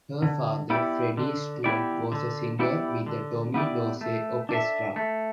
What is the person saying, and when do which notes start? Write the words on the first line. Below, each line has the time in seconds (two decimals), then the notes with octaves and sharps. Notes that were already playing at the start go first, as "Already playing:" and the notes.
Her father, Freddie Stewart, was a singer with the Tommy Dorsey Orchestra.
0.22 D3
0.70 B3 E4 G4 D5
1.17 D3
1.64 B3 E4 G4 D5
2.12 D3
2.59 B3 E4 G4 D5
3.06 D3
3.54 B3 E4 G4 D5
4.01 A3
4.49 D4 A4 E5
4.96 A3